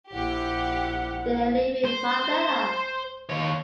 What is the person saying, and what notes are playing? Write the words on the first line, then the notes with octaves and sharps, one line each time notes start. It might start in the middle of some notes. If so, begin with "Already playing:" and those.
They live in Marbella.
A#1 E4 G4 F#5
C5
D#2 C#5